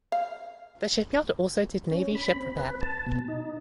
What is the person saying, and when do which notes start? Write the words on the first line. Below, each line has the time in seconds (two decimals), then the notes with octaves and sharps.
The shipyard also did Navy ship repair.
0.12 F5
1.91 C#4
2.15 B5
2.36 C4
2.57 B4
2.81 A5
3.06 B2
3.28 D#4